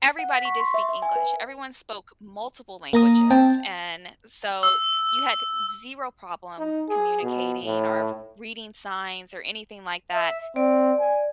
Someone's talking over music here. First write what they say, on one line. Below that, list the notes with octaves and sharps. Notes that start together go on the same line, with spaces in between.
everybody did speak English, everyone spoke multiple languages, and so you had zero problem communicating or reading signs or anything like that.
F#5
B6
C#6
C6
E5
E5
G#5
B4
A#3 A#5 D#6
C4 G5 A5
E6
D#4
G#4
B2
A2
E5
C4 D5
G#5